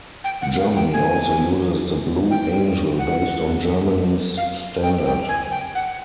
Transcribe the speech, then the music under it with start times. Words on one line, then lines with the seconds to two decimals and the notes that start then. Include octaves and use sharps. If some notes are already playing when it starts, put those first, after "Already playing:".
Germany also uses the Blue Angel, based on Germany's standard.
0.24 G5
0.42 F#5
0.58 F5
0.76 G5
0.93 G#5
2.31 G5
2.99 F#5
4.37 F5
4.83 G5
5.06 G5
5.29 G#5
5.51 G5
5.75 F#5